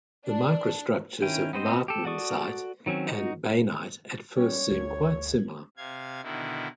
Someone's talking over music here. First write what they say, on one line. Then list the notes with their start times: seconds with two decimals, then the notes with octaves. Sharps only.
The microstructures of martensite and bainite at first seem quite similar.
0.25 D4
1.22 D#3 C#4 E4 G5
1.53 B3 C4 C5 D#5
1.88 G4 A4
2.05 F#4 A4 D5 C#6 D#6
2.86 D#3 F#3 C4 C#4
3.09 D#4 F#4
4.37 G3 C#4 G4 C#5
4.70 G1 D2 G#6
5.77 C3 F5 G#6
6.22 B2 D3 D#3 E4